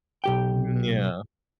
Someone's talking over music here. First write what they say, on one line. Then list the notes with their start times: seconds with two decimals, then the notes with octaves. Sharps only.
Mm, yeah.
0.24 B1 G4 G5